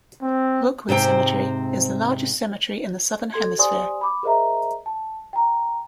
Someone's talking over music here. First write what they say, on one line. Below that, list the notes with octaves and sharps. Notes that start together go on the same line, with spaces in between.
Rookwood Cemetery is the largest cemetery in the Southern Hemisphere.
C4
G#2 C3 C5 G5
A4 C6 G#6
G4 C5 D5 G#5 C6 D#6
B5 D6
G#4 A#4 C5 D#5 E5 A#5
A5
G5 A#5